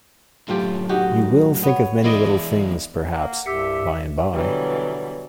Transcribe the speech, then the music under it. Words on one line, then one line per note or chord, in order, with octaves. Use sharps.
You will think of many little things perhaps, by and by.
F#2 A2 A3 F4 G4
D#4 F#4 G4
B3 C#5
E3 G#3 E4 D5 D#5
A#3 F#5
C2 G2 G4 E5 E6 B6 C#7
B2 D3 E3 F#3 G3